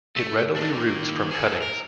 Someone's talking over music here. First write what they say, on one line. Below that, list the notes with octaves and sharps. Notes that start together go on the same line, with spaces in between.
It readily roots from cuttings.
A3
D4 D#4
D#3 A#3
G#4 A4
A#4